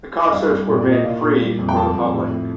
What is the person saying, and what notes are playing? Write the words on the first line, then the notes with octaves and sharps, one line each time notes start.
The concerts were made free for the public.
D#5
G2 D5 F5
G2
A#2
D5
A#2 D#5
A#2 D5 F5
A#2
G3
F2
G5
F2 F5 A5
F2
A2
A3